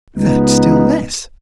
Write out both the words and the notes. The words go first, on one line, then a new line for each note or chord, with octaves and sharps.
"That still less."
C#2 B3 D#4